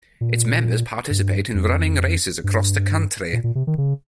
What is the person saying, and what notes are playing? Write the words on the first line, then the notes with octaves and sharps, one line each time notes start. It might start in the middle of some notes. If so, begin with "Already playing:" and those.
Its members participate in running races across the country.
A#2
G2
F2
G2
A#2
A#2
C3
D#3
C#3